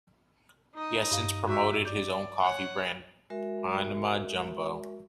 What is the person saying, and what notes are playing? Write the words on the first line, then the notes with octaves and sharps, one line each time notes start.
He has since promoted his own coffee brand PanamaJumbo.
D#4 D#5
G2 F5
F#4 G4 E5 C#6
D5 G6
C#5 F#5
G#3 F#4 A#4 E5